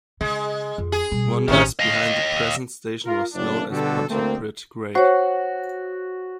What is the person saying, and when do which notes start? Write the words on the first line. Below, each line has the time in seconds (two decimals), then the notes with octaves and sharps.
One, just behind the present station, was known as Pontypridd Graig.
0.21 C#3 G#3
0.78 F2
0.92 G#4
1.12 B2 G3
1.48 A1 C3 D#3 C#4
1.80 D#5 F5
3.05 F4 A#4
3.34 F#1 D4
3.70 B2 D3 G3 F#4 G4 A4
4.10 D2 A3 A#3 C4
4.95 F#4 C5 C#5